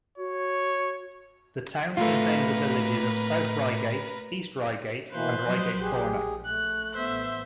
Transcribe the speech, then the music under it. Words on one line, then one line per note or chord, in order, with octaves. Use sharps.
The town contains the villages of South Ryegate, East Ryegate, and Ryegate Corner.
F#4 C#5
A2 A3 F4 F#4 A#4 B4
B2 E3 A#3 B4 C5
F3 F#3 D#5
A#1 G4 G#4
A3 F#6
A1 B3 C5 E5